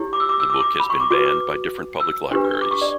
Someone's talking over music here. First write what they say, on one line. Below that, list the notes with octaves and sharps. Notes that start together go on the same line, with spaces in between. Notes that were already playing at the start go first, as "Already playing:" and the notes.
The book has been banned by different public libraries.
Already playing: E4 G4 C#5
D6
E6
D6
E6
D6
D6
B5
C#6
D6
F#4 B4 D6
D6
E6
D4 G4 B4
D6
C#6
D5